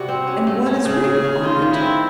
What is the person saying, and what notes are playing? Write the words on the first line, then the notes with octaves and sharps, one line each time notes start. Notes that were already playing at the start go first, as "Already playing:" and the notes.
"And what is written on it?"
Already playing: C3 G3 F#4
C4
C#4
A3
C#4
C#3 G#4
C#3
C#4
D#3 F4
D#3
E4
C4